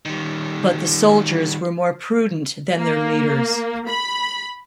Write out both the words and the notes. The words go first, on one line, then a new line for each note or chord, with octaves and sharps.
But the soldiers were more prudent than their leaders.
D#3 G3
A#3
B5